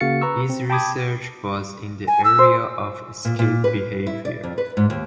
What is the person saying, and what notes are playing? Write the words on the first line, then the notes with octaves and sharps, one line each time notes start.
His research was in the area of skilled behaviour.
C#3 A#3 F#4 F5 A6 C#7
B4 A#5 C#6 E6
C4
G5 A5 B5 D6 D#6 G#6
G#5
E6
C5
A#2
A#2
B4
E4
D5
F2
B4
G#2
D#2